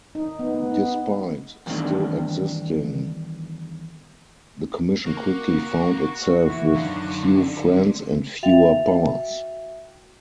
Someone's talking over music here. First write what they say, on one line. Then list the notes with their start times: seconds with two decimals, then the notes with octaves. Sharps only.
Despite still existing, the Commission quickly found itself with few friends and fewer powers.
0.15 D#4
0.39 B3
0.55 B3
0.72 D#4
1.66 E2 G2 D#3 A3 C4 D4
5.06 A#3 F#4
6.50 E3 F3 E4
6.74 F#2 D3 D#4 F5
8.43 F#4 E5 F5 G5 A6 F7